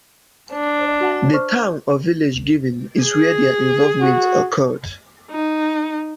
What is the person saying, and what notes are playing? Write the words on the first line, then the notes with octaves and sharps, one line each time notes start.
The town or village given is where their involvement occurred.
D4
F#4 F#5 A5
C5 C#6 F6
G#4
F#4
D#4